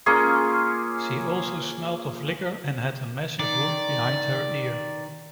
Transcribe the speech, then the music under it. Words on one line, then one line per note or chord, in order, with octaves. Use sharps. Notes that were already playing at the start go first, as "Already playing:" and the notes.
She also smelled of liquor and had a massive wound behind her ear.
A#3 C#4 F4 G#4
D#3 D5